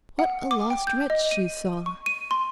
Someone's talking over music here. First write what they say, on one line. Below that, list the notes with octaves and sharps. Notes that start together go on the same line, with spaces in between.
What a lost wretch she saw!
F#5
D6
G5
G6
D#5
D#7
C#6
D#7
C6